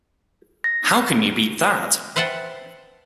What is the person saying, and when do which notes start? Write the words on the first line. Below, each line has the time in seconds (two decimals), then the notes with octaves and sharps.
How can you beat that?
0.64 A#6
2.16 B4 C5 E5 F#5 G5 A5